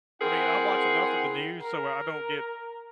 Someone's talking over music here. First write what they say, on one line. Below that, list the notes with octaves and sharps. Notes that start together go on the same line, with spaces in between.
I mean, I watch enough of the news so I don't get
C4 E4 G#4 A#4 F#5
A#4